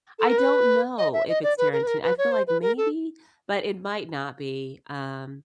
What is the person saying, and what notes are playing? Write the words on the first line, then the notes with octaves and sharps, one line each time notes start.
I don't know if it's Tarantin I feel like maybe, but it might not be. Um,
A4
A#4
B4
D#5
E5
D#5
D5
B4
A#4
B4
A#4
B4
C#5
C5
B4
A#4
A4